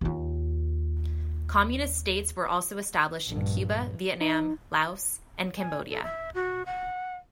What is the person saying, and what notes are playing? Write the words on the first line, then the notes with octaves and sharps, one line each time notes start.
Communist states were also established in Cuba, Vietnam, Laos, and Cambodia.
D#2 F4
A#1 G2
D#4
G#5
A4
E5
F#4
F#5